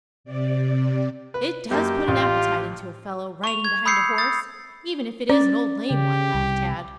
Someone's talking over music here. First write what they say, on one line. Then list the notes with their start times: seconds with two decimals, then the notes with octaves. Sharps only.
"It does put an appetite into a fellow, riding behind a horse, even if it is an old lame one," laughed Tad.
0.24 C3 D5
1.34 B4
1.71 F#2 A#3 G4
2.08 A1 F4
3.44 C#6 F7
3.65 G#6
3.86 B5 D#6 E6 G6 C7 C#7
4.18 D#6 G6 A6
5.30 C#4 D5
5.91 C#3 G4
6.34 C2